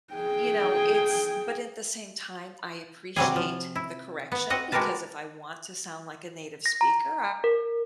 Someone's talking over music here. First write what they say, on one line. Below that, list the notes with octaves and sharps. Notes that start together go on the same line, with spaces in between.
you know, it's But, at the same time, I appreciate the correction, because if I want to sound like a native speaker,
G#4 G5
C3 F#3 G3 G#4
F3
E4
B3
C4 F#4 D#5 F#5
G#3 F#4 G4 A#4 B4 A5
A#6
A#5
A#4